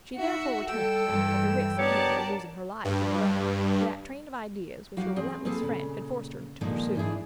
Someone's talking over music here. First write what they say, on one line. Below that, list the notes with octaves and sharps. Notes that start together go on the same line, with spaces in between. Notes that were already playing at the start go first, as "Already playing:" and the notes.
She therefore returned, at the risk even of losing her life in the way, to that train of ideas which her relentless friend had forced her to pursue.
D#4 F#4 E5
G3 A4 G5 E6
G2 E3
B3 D4 G4 A#4 C#5 D5 A5
G2
F#3 F#4 G4 F5 F#5
E2 C4 G#4
A#3 C4 G#4 A4 B4
A#2 C#3
A#2 D3 D#3 F3 G#3 A#3
G#2 E3 D4 E4 G#4